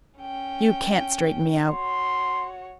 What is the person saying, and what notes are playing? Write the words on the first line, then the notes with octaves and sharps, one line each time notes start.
"You can't straighten me out."
C#4 G5
F#4 C#5 C6